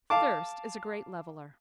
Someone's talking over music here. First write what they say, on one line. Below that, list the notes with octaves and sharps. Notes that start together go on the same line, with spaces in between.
Thirst is a great leveller.
F5 A5 D6